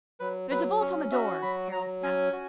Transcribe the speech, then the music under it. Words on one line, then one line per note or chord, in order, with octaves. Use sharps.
"There's a bolt on the door!" Carroll snapped.
F#3 B4
F#3 B4
C#4 C#5
F#4 E5
F#3 B5
F#3 A#5
C#4 G#5
F#4